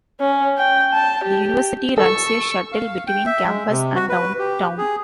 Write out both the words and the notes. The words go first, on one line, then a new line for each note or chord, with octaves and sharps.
The university runs a shuttle between campus and downtown.
C#4
G5
A5
G4
A4 C#6 E6
F5
G5
E5
G#3
C3
F#4
B4
G4
G#4